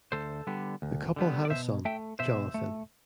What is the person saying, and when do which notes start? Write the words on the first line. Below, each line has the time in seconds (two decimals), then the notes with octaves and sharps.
The couple had a son, Jonathan.
0.12 D2 A4 C5
0.47 D3 G3 B3
0.82 D2
1.16 D3 G3 B3
1.45 D5
1.50 B2 C5 E5
1.85 A3 E5 G5
2.19 B2 C5 E5
2.54 A3